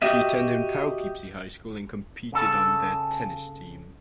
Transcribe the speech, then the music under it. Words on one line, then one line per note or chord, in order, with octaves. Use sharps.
She attended Poughkeepsie High School and competed on their tennis team.
F#4 G4 D#5 E5
C#3 A4